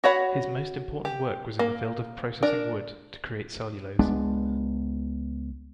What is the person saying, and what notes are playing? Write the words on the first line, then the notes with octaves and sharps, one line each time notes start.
His most important work was in the field of processing wood to create cellulose.
F#4 C#5 F#5 B5
G4
A#3
D4 A#4
C#2 G#3 B3 D4